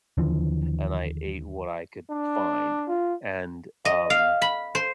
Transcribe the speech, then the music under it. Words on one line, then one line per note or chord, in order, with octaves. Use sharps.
and I ate what I could find, and, um
D#2 D3 E3 F3
D4
F4
D#5
F5
B5
C5